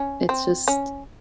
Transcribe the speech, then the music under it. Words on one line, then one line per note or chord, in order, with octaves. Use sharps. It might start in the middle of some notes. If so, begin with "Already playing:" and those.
it's just
Already playing: C#4
C4
C#4